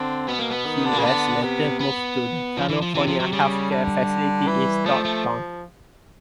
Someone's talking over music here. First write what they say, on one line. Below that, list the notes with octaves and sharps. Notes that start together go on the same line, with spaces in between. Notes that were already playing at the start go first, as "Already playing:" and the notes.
He was later moved to the California Health Care Facility in Stockton.
Already playing: D3 C4
B2 B3
A#3
B3
D#3
D3
A#3
C#3
D3 B3
C3
B3
F3
E3
F3
C3 E3
F3
F#3
C#3 G3
D3
E3
F3 A3
A3